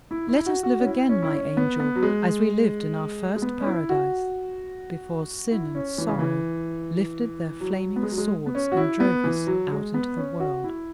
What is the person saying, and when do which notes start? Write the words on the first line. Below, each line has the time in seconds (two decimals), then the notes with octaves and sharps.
Let us live again, my angel, as we lived in our first paradise, before sin and sorrow lifted their flaming swords and drove us out into the world.
0.11 E4
0.28 E4
0.46 F#4
0.63 F#4
0.80 C#4
0.86 E4
1.09 C#4
1.22 E4
1.33 C#4
1.57 B3
1.80 B3
1.96 F#3
2.03 G#3
3.36 G#3
3.42 B3
3.61 C#4
3.66 E4
3.89 F#4
5.52 E4
5.75 C#4
5.98 E3
6.08 C#3
6.19 E3
7.61 F#3
7.96 B3
8.03 G#3
8.11 F#3
8.18 G#3
8.46 B3
8.55 C#4
8.72 F#4
8.77 E4
9.00 B3
9.24 E3
9.47 F#3
9.71 G#3
9.94 B3
10.17 C#4
10.40 F#4
10.64 E4